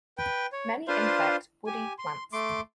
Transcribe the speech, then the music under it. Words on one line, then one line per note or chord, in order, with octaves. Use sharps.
Many infect woody plants.
B4 G5
C#5
D4 F4 B4 C5 F5 C6
G4 G#5
C6
A3 C6 D6